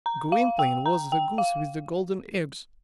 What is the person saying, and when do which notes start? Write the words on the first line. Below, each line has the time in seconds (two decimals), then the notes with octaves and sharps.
Gwynplaine was the goose with the golden eggs!
0.06 A#5
0.32 F5
0.59 G5
0.86 A#5
1.12 G5
1.38 F5